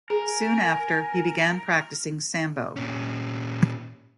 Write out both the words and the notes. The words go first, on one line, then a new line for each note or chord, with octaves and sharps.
Soon after, he began practicing sambo.
G#4 A#4 G#5
A#2 C#4